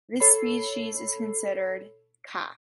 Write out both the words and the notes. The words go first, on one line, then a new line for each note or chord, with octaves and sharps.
This species is considered ""Ca.
A4 C#5 B5 C7